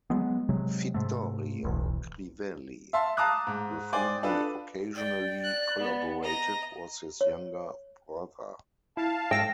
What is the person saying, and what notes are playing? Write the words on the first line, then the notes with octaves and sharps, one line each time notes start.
Vittorio Crivelli, with whom he occasionally collaborated, was his younger brother.
F#3 G#3 B3
C3 F#3 G#3
G#2 C3 A3
D1 B1 E2
E5 F5 A5 C6
F5 A5 A#5 D6 D#6 F#6
G#2
C5 D5 G5 G#5
D4 F4 A4 B4
D5 G5
F#6
B3
D#5 A#5
C#5
E4 F5 A5
G#2 A4 G5 E6 A#6